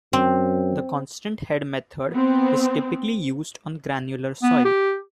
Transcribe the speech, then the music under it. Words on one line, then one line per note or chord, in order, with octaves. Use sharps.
The constant-head method is typically used on granular soil.
F#2 C4
B3 C4
B3
G4